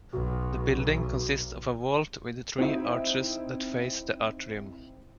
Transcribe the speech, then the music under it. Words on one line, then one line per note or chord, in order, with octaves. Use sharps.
The building consists of a vault with three arches that face the atrium.
B1 F#4
C4 D#4 E4 E5